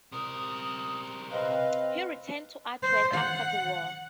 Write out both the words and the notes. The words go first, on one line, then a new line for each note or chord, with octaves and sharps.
He returned to artwork after the war.
C3 A#4 D#6
C4 B4 D#5 F5
C5
F#5